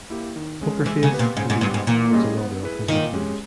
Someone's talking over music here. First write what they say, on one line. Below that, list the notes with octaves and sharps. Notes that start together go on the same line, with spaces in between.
"Poker Face", indeed, was another of his nicknames.
A#3 E4 G4
D#3
G#3 C#4
E3 G#3
C#3
B3 G4 B4
A#2
G#2 C#3
G#2
G2 G3 B3
G#2
A#2 E3
G3 C#4 G#4 D#5
B3
E4 G#4 B4
A#2 D#3
G#3 C#4 G4